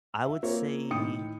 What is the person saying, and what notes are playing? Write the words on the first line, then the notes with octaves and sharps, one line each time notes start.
I would say
E5
A#3 C4 F4 A#4 C#5
A2 D#3 G5 D#6 C#7